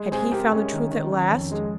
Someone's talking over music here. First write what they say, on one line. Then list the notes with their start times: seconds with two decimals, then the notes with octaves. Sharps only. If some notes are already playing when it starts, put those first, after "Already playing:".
Had he found the Truth at last?
Already playing: G#3
0.12 C3 G#4 C5
0.32 C3 G4 A#4
0.52 G#3 C#4
0.72 D#3
0.91 D#3
1.11 D#3 C#4
1.31 F2
1.51 G#3